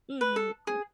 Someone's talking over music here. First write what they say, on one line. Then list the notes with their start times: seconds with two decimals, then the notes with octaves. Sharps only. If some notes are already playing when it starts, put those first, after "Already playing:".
Mhm. M
0.21 B4
0.36 A4
0.67 G#4